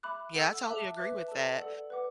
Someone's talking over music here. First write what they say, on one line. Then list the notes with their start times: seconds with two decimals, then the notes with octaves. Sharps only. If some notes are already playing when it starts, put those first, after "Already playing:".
Yeah, I totally agree with that.
0.03 E5 B5 D6 F#6
0.35 A4 F#5 B5 E6
0.66 E5 A5 D6 F#6
0.97 B4 E5 D6 F#6
1.28 A4 D5 A5
1.59 A4 D5 F#5
1.90 B4 F#5 D6